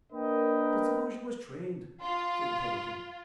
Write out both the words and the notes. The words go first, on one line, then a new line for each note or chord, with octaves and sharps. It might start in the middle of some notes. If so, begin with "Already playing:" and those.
"But suppose you was trained?" said the publican.
A#3 D4 A#4 B4 D#5 G5
F4 C6